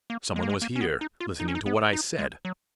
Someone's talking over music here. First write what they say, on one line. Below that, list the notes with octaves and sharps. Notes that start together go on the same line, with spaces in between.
Some one was here--listening to what I said!
A#3
G#3
A#3
G#3
A#3
C#4
B3
D#4
F4
D#4
C#4
D#4
B3
D#4
G#3
F#3